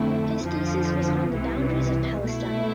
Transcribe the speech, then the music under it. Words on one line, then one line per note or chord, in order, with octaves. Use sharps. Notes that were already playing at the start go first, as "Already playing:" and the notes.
His thesis was on the boundaries of Palestine.
Already playing: F2 D3 A3 C4 E4
F2 D3 F3
C2 C3 E3
B2 A3 E4